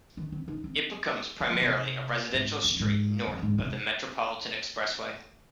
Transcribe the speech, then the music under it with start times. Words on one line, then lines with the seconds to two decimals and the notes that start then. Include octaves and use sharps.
It becomes primarily a residential street north of the Metropolitan Expressway.
0.17 D#3
0.32 C4
0.48 D#4
0.64 C4
1.40 A#3
1.51 F3
1.61 C3
2.34 G#2
2.64 F2
2.80 G#2
3.27 F2
3.42 G#2
3.58 C3